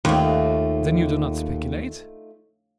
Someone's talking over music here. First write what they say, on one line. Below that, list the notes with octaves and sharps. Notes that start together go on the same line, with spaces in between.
"Then you do not speculate?"
D#2 A3 D#4 F4